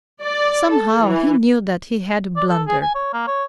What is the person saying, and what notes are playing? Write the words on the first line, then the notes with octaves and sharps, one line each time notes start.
Somehow he knew that he had blundered.
D5
A4
E3
D5
A4
G#4
G#5
C#5
A#3
C#5